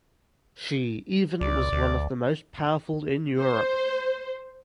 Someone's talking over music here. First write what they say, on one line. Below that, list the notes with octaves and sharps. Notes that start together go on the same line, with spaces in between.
She even was one of the most powerful in Europe.
C#2 D5
D2
C5